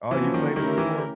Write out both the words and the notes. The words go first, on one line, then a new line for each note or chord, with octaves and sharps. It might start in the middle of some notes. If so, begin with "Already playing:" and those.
Oh, you played it before?
E3 F3 A#3 C#4 F#4
D#3
D#3 A3 C#4 E4 G4 A#4
E3